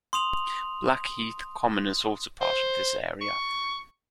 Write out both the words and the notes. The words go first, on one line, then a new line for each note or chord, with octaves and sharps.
Blackheath Common is also part of this area.
C6 D#6 F7 F#7
C5
C#6